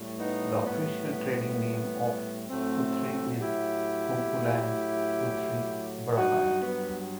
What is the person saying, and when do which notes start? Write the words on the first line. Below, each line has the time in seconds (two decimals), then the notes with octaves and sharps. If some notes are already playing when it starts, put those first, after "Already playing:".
The official trading name of Guthrie is "Kumpulan Guthrie Berhad".
Already playing: A2 G3
0.19 B3 D#4
0.66 B3
1.12 B3
2.49 A2 F#3 A3 C4
3.41 E4 G4
6.17 G2 F#3 D#4 F#4
6.62 B3